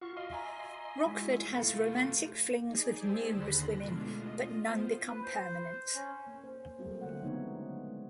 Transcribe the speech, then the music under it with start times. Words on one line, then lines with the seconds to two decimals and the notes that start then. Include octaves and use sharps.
Rockford has romantic flings with numerous women, but none become permanent.
0.01 F4 F#4 C#6
0.17 D#5 F5 C6
0.32 E5 G#5 A#5
1.06 G#3 E4 F#4
1.51 A3 F4
2.67 D#4 G#4 D5
2.97 G4 G#4 C5 A5 E6
3.33 D#2 D3 B5 C6 F#6 A#6
3.80 B2 G#3 A3 D4 F4
4.15 F4 D#5
4.62 B3 F4 C5
5.08 B4
5.23 C5
5.95 C#4
6.27 A#3
6.44 C5
6.79 F#3 G3 A3 A#3 C4
7.01 D3 C#5 F#5
7.23 C#3 F3 G#3 B3 D#4 C#5
7.87 G#3